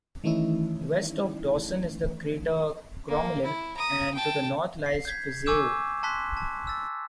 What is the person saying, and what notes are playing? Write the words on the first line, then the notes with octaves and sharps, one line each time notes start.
West of Dawson is the crater Crommelin, and to the north lies Fizeau.
D#3 E3 A3 C#4 D#4 E4
A#3
E4
A#5 D#6
G5 A5
C7
G6 G#6 B6
G#5 C#6 D6 E6 G6 E7
A5 C6 F#6 B6
A5
E6 A6